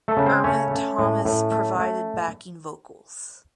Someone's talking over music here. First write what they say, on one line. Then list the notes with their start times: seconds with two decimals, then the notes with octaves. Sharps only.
Irma Thomas provided backing vocals.
0.08 A3 A4
0.17 C#3
0.26 C4 C5
0.44 A3 C#4 C#5
0.71 A3
0.99 A2
1.25 A2
1.51 A3
1.79 A3